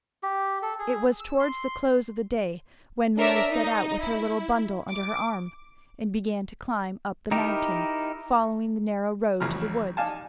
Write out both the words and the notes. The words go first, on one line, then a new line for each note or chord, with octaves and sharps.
It was towards the close of the day when Mary set out with her little bundle under her arm, and began to climb up the mountain, following the narrow road to the woods.
G4
A4
G#4
E6
C6
D4 A#4 C#5 D5 E5
D#4
E4
D6
D#4 E4 G4 A#4
A1 F2 E4 A#5 F6
D#4 D5 F5 G#5 A5